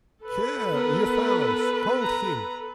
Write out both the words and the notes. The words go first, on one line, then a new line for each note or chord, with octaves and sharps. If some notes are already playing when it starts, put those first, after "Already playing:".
Here, you fellows, hold him!
A4 B4
B3 A#4
A#5